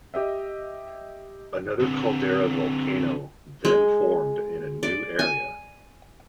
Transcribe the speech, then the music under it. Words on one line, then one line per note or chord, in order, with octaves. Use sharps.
Another caldera volcano then formed in a new area.
G4 D#5 E5
D3 C4
G#3
D5
G#5